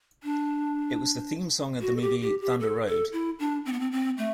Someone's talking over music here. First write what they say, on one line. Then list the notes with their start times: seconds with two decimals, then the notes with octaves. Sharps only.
It was the theme song of the movie "Thunder Road".
0.23 D4
1.81 F#4
1.96 A4
2.01 G4
2.21 G4
2.41 G4
2.60 A4
2.86 A4
3.12 E4
3.39 D4
3.66 C4
3.72 B3
3.80 C4
3.92 C4
4.18 A3